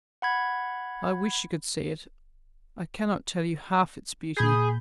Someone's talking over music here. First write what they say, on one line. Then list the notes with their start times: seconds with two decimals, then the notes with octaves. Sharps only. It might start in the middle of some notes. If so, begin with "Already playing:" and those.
I wish you could see it. I cannot tell you half its beauty.
0.22 F#5 B5 G#6
4.37 A#2 G#4 B5 G6